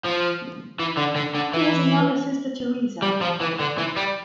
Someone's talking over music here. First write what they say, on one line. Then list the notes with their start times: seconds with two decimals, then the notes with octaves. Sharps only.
He has a younger sister Theresa.
0.04 F3
0.80 E3
0.97 D3
1.16 D3
1.35 D3
1.54 E3
3.02 G3
3.21 F3
3.40 E3
3.59 D3
3.78 E3
3.97 G3